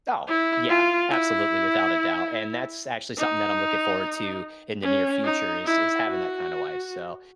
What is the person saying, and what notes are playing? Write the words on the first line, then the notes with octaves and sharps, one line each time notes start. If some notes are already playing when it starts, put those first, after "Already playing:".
Oh, yeah, absolutely, without a doubt, and that's actually something that I'm looking forward to in the near future, is is having that kind of wife, so,
E4
F4
E4
D#4
C#4
D#4
E4
F#4